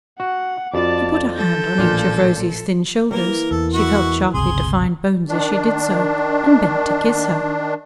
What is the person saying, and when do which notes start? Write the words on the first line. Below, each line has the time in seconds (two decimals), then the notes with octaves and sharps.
She put a hand on each of Rosy's thin shoulders--she felt sharply defined bones as she did so--and bent to kiss her.
0.20 F#4 F#5
0.74 F2 F4 F#4 D5 A5
1.38 F3 A4 G6 A6
1.78 A1 A#2 D4 F4
3.11 E3 A#3 A#4
3.51 E2 A4
3.74 E4 F#4 C#6
4.34 G1 C#2 C3 G#4 C6
5.29 D#3 D4